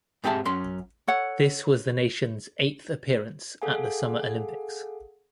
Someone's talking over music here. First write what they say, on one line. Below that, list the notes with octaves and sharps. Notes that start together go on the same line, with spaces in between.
This was the nation's eighth appearance at the Summer Olympics.
G#2 C4 G4 G#4 E5 A5
F#2 C#4 C6
A4 C#5 F#5
G#4 A4 F5 F#5 G#5